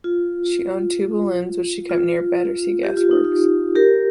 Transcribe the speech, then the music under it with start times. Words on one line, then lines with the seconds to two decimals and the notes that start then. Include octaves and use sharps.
She owned two balloons which she kept near Battersea gas works.
0.04 F4
1.89 F4
2.83 G4
2.97 F4
3.11 D#4
3.25 F4
3.76 G4 A#4